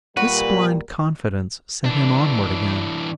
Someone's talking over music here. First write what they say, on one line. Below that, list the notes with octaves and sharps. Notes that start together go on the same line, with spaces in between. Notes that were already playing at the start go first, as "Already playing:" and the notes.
This blind confidence set him onwards again.
A#2 G3 F#4 A#4 B4
E3 D4